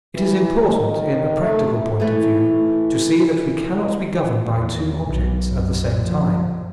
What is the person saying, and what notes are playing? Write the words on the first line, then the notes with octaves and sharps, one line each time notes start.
It is important, in a practical point of view, to see that we cannot be governed by two objects at the same time.
E3
D#3
A3
E3 A3
E2
B1
F#2
F3